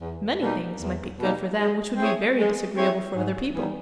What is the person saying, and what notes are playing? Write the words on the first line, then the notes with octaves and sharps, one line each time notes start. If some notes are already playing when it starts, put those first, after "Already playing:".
Many things might be good for them which would be very disagreeable for other people.'
E2
B2 G3 A#3 D#4
E2
B2 G3 A#3 D#4
G#3
C4 E4 G#4 C#5
G#3
C4 E4 G#4 C#5
G#2
E3 G3 B3 D#4